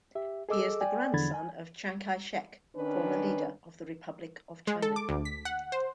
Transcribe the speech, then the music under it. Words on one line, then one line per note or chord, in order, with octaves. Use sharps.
He is the grandson of Chiang Kai-shek, former leader of the Republic of China.
G4 E5
G#4 A4 D#5 D6 E6
D5 G5 G#5
E2 D3 F3 B5 G#6 A6
G#5
D#3 C#4 D4 B4
G#3
A4
D6
D2
B6
F#5
C5